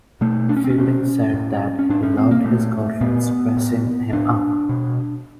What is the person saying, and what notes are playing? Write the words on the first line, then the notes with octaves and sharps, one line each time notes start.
Fielding said that he loved his girlfriends dressing him up.
B2 A3
D4
C#4
C4
C#4
B2
A2
C#4
A2 D4
C#4
C4
A#3
A#2 A3
A#2 B3
A2
A2 D4
B2